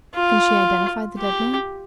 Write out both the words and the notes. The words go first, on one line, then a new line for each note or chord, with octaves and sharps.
"Can she identify the dead man?"
F4
G4